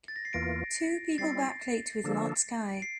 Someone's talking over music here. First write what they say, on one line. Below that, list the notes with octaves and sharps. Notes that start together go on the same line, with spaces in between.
Two people backlit with light sky.
A6
A#6
C7
E2 E3 A#3 F4 A#6 D7
G3 C4 E4 A6 C7
D3 F3 A#3 D4 A4
D7
C7